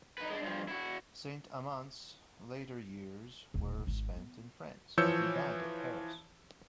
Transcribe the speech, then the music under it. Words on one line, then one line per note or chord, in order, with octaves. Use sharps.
Saint-Amant's later years were spent in France; and he died at Paris.
D#4 B4
G#3 D4
G2 F3
E4 F#4
D1 A#2
G#1
B3
E3 F3 C#5 E6 G6 C#7